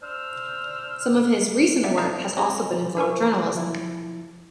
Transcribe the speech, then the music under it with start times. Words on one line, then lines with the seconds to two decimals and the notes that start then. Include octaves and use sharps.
Some of his recent work has also been in photojournalism.
0.03 D4 C5 E6 F6
1.84 D4 D5 E5 F#5 G5
1.98 D5 A5 A#5 D#6 F6 C7
2.37 C4 G4 G#4 C#5 D#5 A#5
2.97 D4 A#4 G#5 C#6
3.55 F3 E4